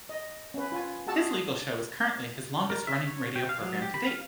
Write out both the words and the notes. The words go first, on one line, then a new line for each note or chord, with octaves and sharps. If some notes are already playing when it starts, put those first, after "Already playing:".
His legal show is currently his longest running radio program to date.
D#5
C#4 B4
F4 G#5
F#4 G#4 F#5 A5 E6
A#4
E5
C#5
G5
F5
F#3
G4
B5
F5